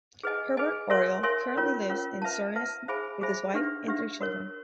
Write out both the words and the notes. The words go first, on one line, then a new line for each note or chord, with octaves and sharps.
Hubert Auriol currently lives in Suresnes with his wife and three children.
G#4 B4 D#5 G#5
G#4 B4 D#5 G#5
A#4 C#5 E5 G#5 C6
A#4 C#5 E5 G#5 C6
C#4 F4 A#4 C#5
C#4 F4 A#4 C#5
B4 E5 A5
B4 E5 A5
G#4 C5 E5 G#5 B5
G#4 C5 E5 G#5 B5
D4 G4 B4 E5
D4 G4 B4 E5
F#4 A#4 C#5